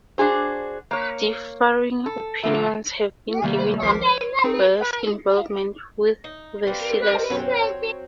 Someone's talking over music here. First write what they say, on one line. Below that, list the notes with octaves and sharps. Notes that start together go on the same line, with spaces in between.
Differing opinions have been given on Walyer's involvement with the sealers.
D4 F#4 G#4 C5
A#3 C#5
A4
A#2 D3 F3 A3
C3 D#3 G3 A3 A#3
G#1 C#2 F3 A#4 D6 B6
C#5
C4 D#4 G#4
D#4
G3 A#3 C4 B4
A#4 C5 D#5
F#2 B2 F#3 C4 C#5
C#5